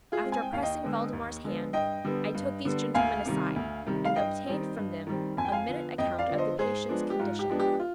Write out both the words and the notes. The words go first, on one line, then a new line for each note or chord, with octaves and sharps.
After pressing Valdemar's hand, I took these gentlemen aside, and obtained from them a minute account of the patient's condition.
F4 G#4
G#3 C4
G#5
G5
D#2 F5
D#5 G5
D3 G#3 B3
D#2
D3 G#3 B3
G2 D#5 G5
D3 G3 B3
G2
D3 G3 B3
D2 F5 G#5
C3 D#3 G3
D2
C3 D#3 G3
F5
G2 D#5 G5
D#3 G3 C4
G2
D#3 G3 C4
F2 G#5
G5
F5 G#5
D3 F3 B3
F2 D#5 G5
D5 F5
D3 F3 B3
C5 D#5
G#2 G#4 C5
F3 G#3 B3 D4
G4
G#2 F4
G4
F3 G#3 B3 D4
G4
F4